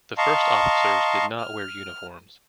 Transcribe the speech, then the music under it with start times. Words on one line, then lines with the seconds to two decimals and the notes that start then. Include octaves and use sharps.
The first officers did not wear uniforms.
0.18 D#5 F5 A5 A#5 C6 C#6
1.38 F6